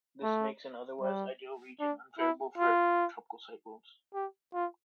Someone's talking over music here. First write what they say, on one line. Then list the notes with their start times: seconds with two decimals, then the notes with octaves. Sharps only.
This makes an otherwise ideal region unfavorable for tropical cyclones.
0.23 A3
1.01 G3
1.80 D4
2.19 E4
2.58 F4
4.14 G4
4.54 F4